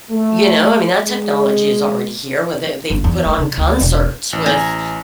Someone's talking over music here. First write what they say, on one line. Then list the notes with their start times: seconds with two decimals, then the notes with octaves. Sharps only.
You know, I mean, that technology is already here, where they they've put on concerts with,
0.11 A3
1.04 G#3
2.90 G1
3.04 E2
3.26 A3
3.38 C#3
3.57 D2
3.81 E1
4.33 A1
4.46 G#5 A#5